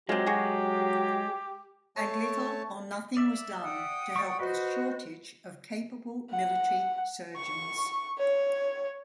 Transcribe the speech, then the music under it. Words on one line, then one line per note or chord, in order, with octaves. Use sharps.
And little or nothing was done to help the shortage of capable military surgeons.
F#3 G#3 C4 F4 G4
F#4 G#4
A3 C#5 A5
D5 E5
F#5 G5 D#6
D5 C#6
F#4 B4 C5 D#5
F#5
C#6
C#5